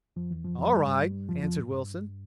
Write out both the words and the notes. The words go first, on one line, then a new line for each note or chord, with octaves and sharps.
"All right," answered Wilson.
F2 F3
E2 E3
F2 F3
F2 F3
G2 G3
G2 G3
F2 F3
F2 F3
A2
G2